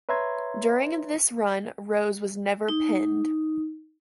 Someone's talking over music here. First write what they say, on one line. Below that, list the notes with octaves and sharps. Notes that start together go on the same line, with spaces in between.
During this run, Rose was never pinned.
B4 C#5 E5 A#5 C6 G#6
D#4